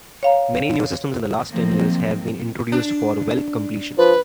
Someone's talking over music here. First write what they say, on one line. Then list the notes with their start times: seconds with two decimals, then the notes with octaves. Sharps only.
Many new systems in the last ten years have been introduced for well completion.
0.23 C#5 F5 A#5
1.51 D#3 F3 F#3 A#3 C4
2.72 D4
3.98 F3 B4